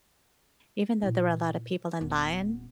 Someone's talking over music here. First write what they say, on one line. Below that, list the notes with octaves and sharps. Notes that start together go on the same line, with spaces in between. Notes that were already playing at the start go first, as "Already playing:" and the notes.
even though there were a lot of people in line,
A#2 E4
D#1 B3